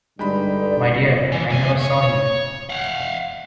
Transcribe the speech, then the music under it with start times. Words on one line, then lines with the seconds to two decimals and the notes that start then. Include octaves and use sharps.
My dear, I never saw him.
0.19 G2 D3 G3 G#3 D#4 D5 G5 B5
1.32 E3
1.49 C#2 G#5
1.81 C#5
2.69 F5 F#5